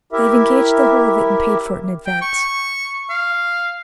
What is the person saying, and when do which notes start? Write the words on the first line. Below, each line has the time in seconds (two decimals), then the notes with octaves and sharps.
"They have engaged the whole of it and paid for it in advance."
0.12 E4 G4 A#4 E5
2.06 G5
2.22 C#6
3.10 F5